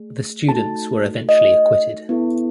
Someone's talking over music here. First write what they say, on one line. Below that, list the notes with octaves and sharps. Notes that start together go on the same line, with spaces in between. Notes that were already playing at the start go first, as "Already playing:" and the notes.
The students were eventually acquitted.
Already playing: A3 G#4
A3 D#4 F#4 A4 A5
D#5
B3 E4 A4